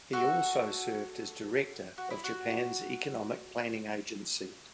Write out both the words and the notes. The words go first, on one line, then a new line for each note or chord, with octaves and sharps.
He also served as director of Japan's Economic Planning Agency.
F#4 A4
F#4
E4
F#4